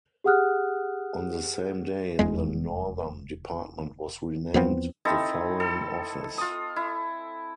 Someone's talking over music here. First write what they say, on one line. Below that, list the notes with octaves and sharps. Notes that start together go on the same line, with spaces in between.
On the same day, the Northern Department was renamed the Foreign Office.
G4 G#4 F#5 D#6 F6 F#6
F1 E2 G#3
E2 F3 B3 C4
C4 D#4 E4 A4
A4
F4 D#6
E4